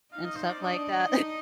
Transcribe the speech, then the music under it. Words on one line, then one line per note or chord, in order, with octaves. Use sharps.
and stuff like that.
D#4 F5
D#5
C5
D5
D4 D#5
D#5
D#4